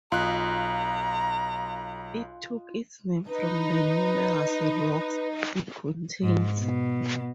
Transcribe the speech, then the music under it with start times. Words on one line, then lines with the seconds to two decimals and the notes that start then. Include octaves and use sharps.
It took its name from the numerous rocks it contains.
0.12 B1 F4 D#5 G#5 A#5 F#6
3.29 D#4 B4
6.23 G#2
6.60 B2